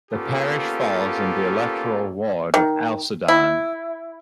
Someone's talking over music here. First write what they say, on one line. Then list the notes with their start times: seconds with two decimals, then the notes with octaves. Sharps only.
The parish falls in the electoral ward of Alcedon.
0.12 A#3 B3 C#4 F4 G4 A4
2.54 D#3
3.28 E4